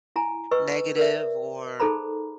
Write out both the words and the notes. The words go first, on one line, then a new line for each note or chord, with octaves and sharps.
negative or
E4 G#5 A#5
B4 D#5 C#6 E6
A#4 D5 E5
D#4 G#4 A4 C5 A#5 B5